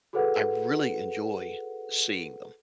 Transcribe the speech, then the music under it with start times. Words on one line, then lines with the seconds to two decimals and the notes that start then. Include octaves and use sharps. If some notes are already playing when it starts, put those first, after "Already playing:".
I really enjoy seeing them.
0.13 F#4 G#4 A4 B4 C5 F#5